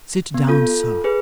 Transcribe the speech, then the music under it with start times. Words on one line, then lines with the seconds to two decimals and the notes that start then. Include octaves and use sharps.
Sit down, Sir.'
0.34 B3
0.48 F4 A4
1.04 G#4 B4